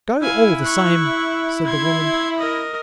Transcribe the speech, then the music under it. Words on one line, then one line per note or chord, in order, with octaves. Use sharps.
"Go, all the same," said the woman.
E4 F5 G#5
C#6 F#6
C6 G#6
A#4 D#5